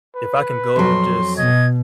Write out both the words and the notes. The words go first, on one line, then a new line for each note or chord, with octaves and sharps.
if I can go and just
B4
F2 F#3 C6
B2 D#5 G#6